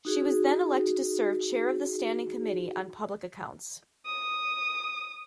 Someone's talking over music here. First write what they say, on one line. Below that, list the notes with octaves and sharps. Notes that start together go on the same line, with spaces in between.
She was then elected to serve chair of the Standing Committee on Public Accounts.
D#4 F#4 G#4
D#6